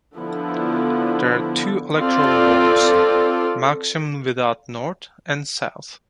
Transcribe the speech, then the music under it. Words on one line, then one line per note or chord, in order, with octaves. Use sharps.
There are two electoral wards, Melksham Without North and South.
D3 F3 B3 E4
C4 F4 A4 D5